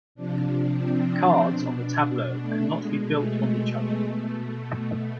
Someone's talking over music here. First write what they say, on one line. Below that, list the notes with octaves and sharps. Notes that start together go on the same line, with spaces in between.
Cards on the tableau cannot be built on each other.
C3 F3 D4
C4
B2 D4
A3
B2 G#3
A3
G#3
B2 A3